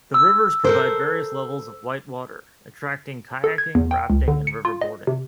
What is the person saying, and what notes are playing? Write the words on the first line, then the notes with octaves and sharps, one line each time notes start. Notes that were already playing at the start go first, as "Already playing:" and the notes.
The rivers provide various levels of white water, attracting kayaking, rafting and river boarding.
E6
A4 A#4 C5
A4
G#6
E2
G5
C#2
D3
C#7
F4
D#5
C3